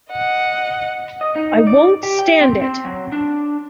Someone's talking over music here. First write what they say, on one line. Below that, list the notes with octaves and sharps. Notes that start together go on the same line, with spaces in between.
I won't stand it!
D#5 F#5
D#5
D#4
D5
G4
G5
C4
C4
F#3
D4